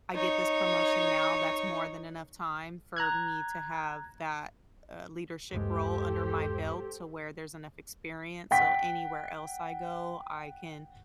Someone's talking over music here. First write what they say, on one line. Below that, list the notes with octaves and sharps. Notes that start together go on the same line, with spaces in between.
I get this promotion now, that's more than enough time for me to have that, uh, leadership role under my belt to where there's enough experience, so anywhere else I go, I can
D#4 C#5
A#5 F#6 G#6
D#1 G2 G#3 G4 A4 C5
F#5 G5 B6